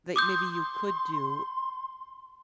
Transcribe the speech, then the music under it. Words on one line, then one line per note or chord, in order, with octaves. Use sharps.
that maybe you could do
C6 D6 D#6 G6